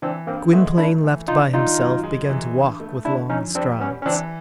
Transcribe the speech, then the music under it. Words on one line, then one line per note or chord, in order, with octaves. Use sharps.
Gwynplaine, left by himself, began to walk with long strides.
E3 C4 D4
G2 A#3 C4
G#3 A3 B3
A3 D4 E4
E3
D4 D#4 F4
D#3 D#4 F4
F#2
G#3
E3
G2
A3
D3 D4 E4
F2 C#4 D#4
G3 C4 D4
G3 B3 C#4
C#4
E3 C4 D4